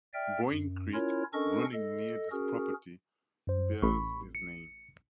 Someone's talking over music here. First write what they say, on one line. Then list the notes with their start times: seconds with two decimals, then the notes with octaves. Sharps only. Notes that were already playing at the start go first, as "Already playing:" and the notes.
Boeing Creek running near this property bears his name.
0.14 D5 E5 G5 F6
0.49 F#2
0.94 C#4 E4 F4 A#4 C#5
1.34 C#4 D4 A4 A#4 D#5 C#6
1.73 A4 D#5
2.32 C#4 F#4 G#4 A#4
3.47 F#2 C5
3.82 A1 B5 C#6
4.35 C#7